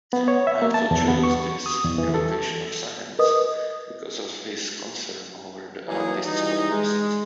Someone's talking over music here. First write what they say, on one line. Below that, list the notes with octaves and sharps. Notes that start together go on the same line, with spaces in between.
Eiffel chose this "invocation of science" because of his concern over the artists' protest.
B3
C#5
E5
A#3
A5
E2
B3
C#6
D#6
E2
E3
A4
A#4 B4 D#5 D#6
E3 F#3 A#3 D#4 G#4
E3 G3 D#4
G#3